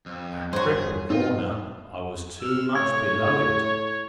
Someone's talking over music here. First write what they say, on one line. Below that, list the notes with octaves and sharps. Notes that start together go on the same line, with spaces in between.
At Cripple Corner, I was too much below it.
F2
G2 F#3 G#4 C5
C4 D#4 F4
E6 F6
A2 C#5 G#6